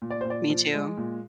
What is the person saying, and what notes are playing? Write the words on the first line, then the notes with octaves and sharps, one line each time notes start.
Me too.
A#2
D5
A#2 C5
D5
F3
G#3
A#2